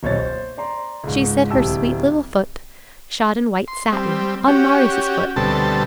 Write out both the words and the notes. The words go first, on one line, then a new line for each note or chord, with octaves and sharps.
She set her sweet little foot, shod in white satin, on Marius' foot.
D#1 B1 C5 C#5 A6
C5
D5 A#5 C6
C#2 G#2
D1 C3 G4 A5 E6
C6
G3 C4
C#4 F#4 G4
D2 B2 G3 C4 A4 A5